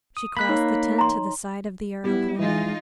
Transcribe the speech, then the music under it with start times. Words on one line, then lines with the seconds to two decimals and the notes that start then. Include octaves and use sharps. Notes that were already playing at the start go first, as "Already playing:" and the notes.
She crossed the tent to the side of the Arab woman.
0.17 D#6
0.37 A#3 B5 F#6 B6
0.49 D#4 C#5
0.99 A#5 C6
2.04 G3 B3 E4
2.39 E3 G#3 D#4 F4